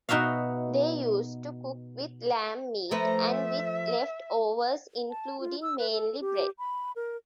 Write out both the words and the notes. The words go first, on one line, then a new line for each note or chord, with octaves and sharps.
They used to cook with lamb meat and with left overs including mainly bread.
B2 D#4 F#4 E5 F5
F3 A3 B4 A#5
E5
A5
F4
E6
B4
A4
G4
B5
A#4